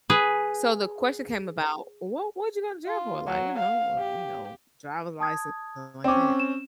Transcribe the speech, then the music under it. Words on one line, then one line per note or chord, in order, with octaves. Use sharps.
So, the question came about, "What what did you go to jail for?" Like, "You know, uh, you know, driver's license, something like that?"
G#4 B4
F4
F#3
F5
G4
A5 D#6 G#6
C4 C#4 G5 D6
E7